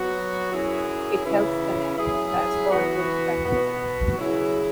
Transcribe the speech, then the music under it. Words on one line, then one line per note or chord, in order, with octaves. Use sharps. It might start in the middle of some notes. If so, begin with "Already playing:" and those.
It helps connect diaspora groups back to the country.
Already playing: F#3 B3 F#4
F#2 F#3 E4 G#4
C#3 E3 C#4 E4
F#3 E4 G#4
E3 B3 F#4
B2 B3 F#4
C#3 F#3 E4 G#4